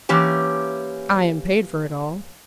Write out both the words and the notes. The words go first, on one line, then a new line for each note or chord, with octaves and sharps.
"I am paid for it all."
E3 A#3 C#4 G4